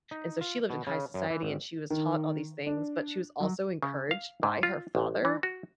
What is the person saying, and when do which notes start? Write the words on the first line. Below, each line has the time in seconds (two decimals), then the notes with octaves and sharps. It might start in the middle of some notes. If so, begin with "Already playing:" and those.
and so she lived in high society, and she was taught all these things, but she was also encouraged by her father,
0.11 D#4
0.41 F4
0.70 B2
0.87 C#3
1.14 F#2
1.30 E3
1.43 G#1
1.90 D#3
2.66 D4
3.40 F#3
3.83 C#3
4.11 F5
4.43 G#2
4.63 F4
4.95 A1
5.25 E3
5.43 F#4